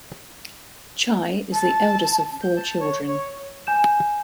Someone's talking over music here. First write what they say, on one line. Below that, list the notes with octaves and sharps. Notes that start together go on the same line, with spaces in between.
Chai is the eldest of four children.
A5
G6
A5
C#5
C#5
G#5 G6 E7